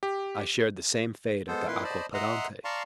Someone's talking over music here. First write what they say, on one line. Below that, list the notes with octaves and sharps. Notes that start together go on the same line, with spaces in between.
"I shared the same fate at Aquapendente."
G4
G#3 B3 A4 C5
F2 A#2 E4 B4 C6
C5 D5 D#5 A5 B5
D#5 E5 F#5 A#5 C6
D5 F5 A5 A#5 C6 C#6